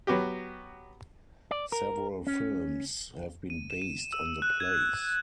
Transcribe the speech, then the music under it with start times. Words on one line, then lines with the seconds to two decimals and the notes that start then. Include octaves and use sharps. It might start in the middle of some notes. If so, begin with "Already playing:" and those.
Several films have been based on the plays.
0.07 F#3 B3 F#4 G4
1.51 D5
1.72 A#4
2.27 C#4
3.50 D#7
3.70 E7
3.82 D#7
4.13 E6
4.42 F#6
4.60 G#6